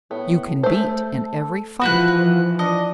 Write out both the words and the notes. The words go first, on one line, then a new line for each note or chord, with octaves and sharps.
You can beat in every fight.
A2 B3
A3 A4 C5
E3 F3 F#4 B4 F#6
D4 D#5